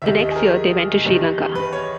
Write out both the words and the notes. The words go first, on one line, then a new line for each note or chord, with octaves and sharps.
The next year they went to Sri Lanka.
D#2 D#3 G3 E5
D#5
G#4
A#4
E2 D#3 G3
B4
C#5